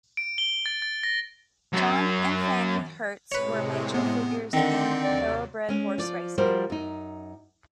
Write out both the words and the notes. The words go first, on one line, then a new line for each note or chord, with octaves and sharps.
John and Fannie Hertz were major figures in Thoroughbred horse racing.
D7
G7
A6
A6
A#6
F#2 F#3
A2 C3 G#3 B4 C#5
B3
D3 D#3 C4 D5 C6 G6
D#2 C3 F#3 D5
G#3 C#4
F3 D5
F3 G3 F#4 A#4 C5
F#2 D#4